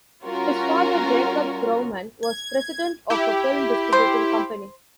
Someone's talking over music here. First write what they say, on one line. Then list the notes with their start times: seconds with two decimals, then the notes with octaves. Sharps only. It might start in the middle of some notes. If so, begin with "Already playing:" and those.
His father, Jacob Grauman, was president of a film distributing company.
0.22 G3 C#4 F4 F#4 A#4
2.23 G#6
3.10 E4 G4
3.93 C5